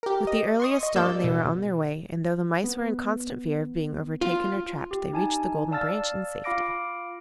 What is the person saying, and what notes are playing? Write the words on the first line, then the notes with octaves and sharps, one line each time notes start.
With the earliest dawn they were on their way, and though the Mice were in constant fear of being overtaken or trapped, they reached the Golden Branch in safety.
G4 A#4
D#5
C6 C#6 D#6
D#5
G2 A#3 D5 E6 G6
B2
B3
F4
G4
D#4 G#5 A5
D5 F5 A5 E6 F6 A6
F4 F5 B5 D6 A#6 D7